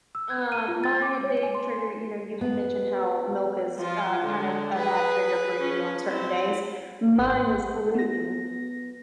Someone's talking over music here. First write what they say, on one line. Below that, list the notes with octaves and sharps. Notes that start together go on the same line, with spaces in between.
um, my big trigger, you know, you had mentioned how milk is, uh, kind of a bad trigger for you on certain days. Mine is gluten.
E6
G#6
D#7
F4
A6
D6
C#5
G#5
C6
B3
F3 F4
D3 G#3
G#4 B4
C#4
C4 E4
G#1
F#5
B3 A#6